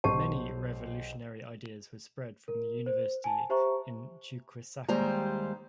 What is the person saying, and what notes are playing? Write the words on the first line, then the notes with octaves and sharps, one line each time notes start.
Many revolutionary ideas were spread from the University in Chuquisaca.
B1 G4 C5 A5
A#4
C5
G#5 A5
G4 C5 E5 A#5 C#6
D#2 G3 G#3 C5 A#5